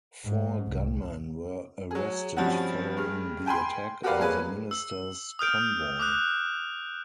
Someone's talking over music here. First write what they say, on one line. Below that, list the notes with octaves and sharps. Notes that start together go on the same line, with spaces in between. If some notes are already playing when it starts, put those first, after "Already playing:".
Four gunmen were arrested following the attack on the minister's convoy.
G#2
C2
F#3 G#4
G2 F3 G3 C4 C#4 F#4
G2 G#3 F6
G5 G#5 B5 C6
F#4 G4 A#4 B4 D5 F5
F#3 G#3 A#3 G#4 B4
E6
D#6 F6 G6 D7
D6 D#6 F#6